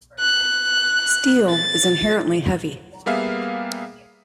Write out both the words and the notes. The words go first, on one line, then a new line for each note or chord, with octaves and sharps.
Steel is inherently heavy.
F#6
A6
G3 A#3 B3 G#4 E5 F5